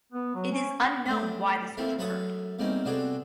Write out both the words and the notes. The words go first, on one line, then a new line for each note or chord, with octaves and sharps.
It is unknown why the switch occurred.
B3
F#3
C#4
A3 B3 C#4 D4
A3 A#3 C4 E4 F4
F#2 A3 B4 A5 C#6 D#6
E2 G3 A#3 C4 C#4 D#4
C3 B3 D4 F#4 G#4 A4